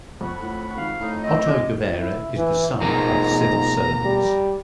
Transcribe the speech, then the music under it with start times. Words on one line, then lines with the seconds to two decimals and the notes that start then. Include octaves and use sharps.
Otto Guevara is the son of civil servants.
0.21 F2 F#5 B5 C#6
0.42 A2
0.76 G#1 F5
1.01 A2 D#4
1.23 A3 C4 D#5
1.47 F2 G#3 D6
1.99 E4
2.36 E3
2.81 G#2 B2 F3 A#4 A#5
4.05 G3